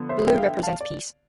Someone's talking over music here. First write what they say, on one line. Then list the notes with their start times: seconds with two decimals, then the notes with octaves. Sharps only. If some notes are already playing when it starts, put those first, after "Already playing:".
Blue represents peace.
Already playing: D3 F3 B3
0.09 C5 E5
0.27 E5 G5
0.37 F5
0.45 E5 G5
0.63 F5 A5
0.81 D5